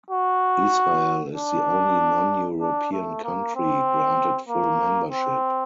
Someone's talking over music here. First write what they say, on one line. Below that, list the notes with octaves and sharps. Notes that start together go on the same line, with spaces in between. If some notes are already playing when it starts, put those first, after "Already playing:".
Israel is the only non-European country granted full membership.
F#4
D4
D4
A3
A#3
C4
A#3
C4